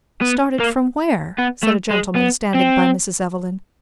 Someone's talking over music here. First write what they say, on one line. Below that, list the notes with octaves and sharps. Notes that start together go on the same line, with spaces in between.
"Started from where?" said a gentleman standing by Mrs. Evelyn.
B3
A#3
B3
A3
G#3
B3
C4